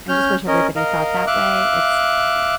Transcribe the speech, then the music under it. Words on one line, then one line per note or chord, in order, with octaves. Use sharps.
I just wish everybody thought that way. It's
C#4 F6 G6
C#4 A#4 D#5
A#4 D#5 F5
E5 F5 D6 F#6